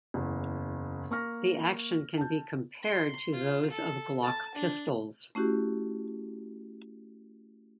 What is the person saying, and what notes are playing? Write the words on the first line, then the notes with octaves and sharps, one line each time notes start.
The action can be compared to those of Glock pistols.
F#1 E2
A#3 C#6 F6 A#6
A5 G6
C6
F4
A4
A5
D4
A3 C#4 E4 F#4 G4